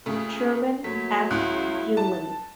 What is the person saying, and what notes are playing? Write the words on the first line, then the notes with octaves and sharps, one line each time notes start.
Truman F. Bewley.
A#2 C#3 A3
F#3 A3 A#3 B6
C#2 E4 F5 F#6
A5